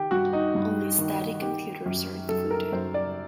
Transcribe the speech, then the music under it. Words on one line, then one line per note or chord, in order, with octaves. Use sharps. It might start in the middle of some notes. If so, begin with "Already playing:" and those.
Only static computers are included.
Already playing: D#3 G4
G2 F#4
D#4
G2
D#3
D#3 G4
F#2
F#2 A4
A#4
F#2 C5
D5